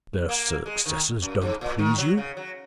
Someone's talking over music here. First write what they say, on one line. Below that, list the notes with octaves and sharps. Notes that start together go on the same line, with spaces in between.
"Their successors don't please you?"
A#3
G#3
D#3
F#2
G#2
A#2
D#3
F#3
C#3
F#3